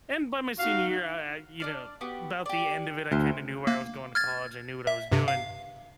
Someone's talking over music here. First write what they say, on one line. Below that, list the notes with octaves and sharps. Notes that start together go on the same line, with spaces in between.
And by my senior year, I I, you know, 'bout the end of it, I kinda knew where I was going to college. I knew what I was doing.
D#4 F#4 F5
D4 D5 F6
B3 F#4 G4
G4 D5
D2 A3 C5
A#3
F6 G#6 A6
E5
G2 C3
F5